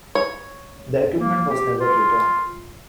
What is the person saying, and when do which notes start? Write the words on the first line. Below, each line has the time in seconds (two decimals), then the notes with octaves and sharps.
The equipment was never returned.
0.15 C#5
1.19 A#3
1.50 G4
1.80 F4